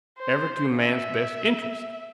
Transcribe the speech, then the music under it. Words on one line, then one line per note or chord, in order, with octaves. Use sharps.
Ever to man's best interests?
C5
E5